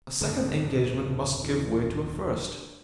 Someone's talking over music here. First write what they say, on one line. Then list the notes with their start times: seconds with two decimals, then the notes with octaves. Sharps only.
A second engagement must give way to a first.
0.21 D1 G1 F2
1.44 G2 E3